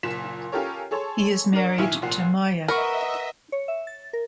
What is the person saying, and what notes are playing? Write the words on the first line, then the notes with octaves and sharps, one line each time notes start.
He is married to Maya.
F#1 A#2 B6 E7
C#4 F4 G4 A4 A#4 C#5
G#4 A4 C#5 A5 C6
D4 A#4
B1 A2 D#3 E4 F4 G#5
F1 A#2 F#5 C7
A#4 B4 D#5 E5 F#5 C#6
C#5
E5
A6
A#4